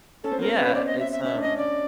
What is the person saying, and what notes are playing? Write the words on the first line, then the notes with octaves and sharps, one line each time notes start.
Yeah, it's, um
C#4 A4
C4
B3 A#4
C4
B4
C#4
C4 D5
D#5
E5
E5
C#4 E5
D4
C#4 D#5
D5